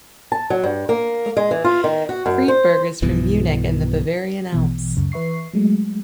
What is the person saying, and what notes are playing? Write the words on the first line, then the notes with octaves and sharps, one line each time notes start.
Friedberg is from Munich and the Bavarian Alps.
A5
F#3
G2
A#3
G#3
E3
F4
D#3
F#4
F#2
C5
B1 G2 B2 E3
A#1 B2 E3
C#2 F#2 C#3
E3 B4 E5 C#6 C7
F#3 G#3 A3